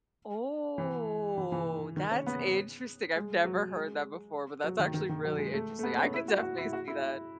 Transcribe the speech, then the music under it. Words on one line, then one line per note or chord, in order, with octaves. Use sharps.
Oh, that's interesting, I've never heard that before, but that's actually really interesting. I could definitely see that.
E3
E3
E3
D#3
C#4
B3
G#3
F#3
G#3
F#3
D#3
D#3
D#3
F#3
G#3
A3
A3
B3
C#4
E4
F#4
F#4
E4
F#4
E4